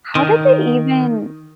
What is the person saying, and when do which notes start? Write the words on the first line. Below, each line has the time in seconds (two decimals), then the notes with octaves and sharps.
How did they even
0.15 D#3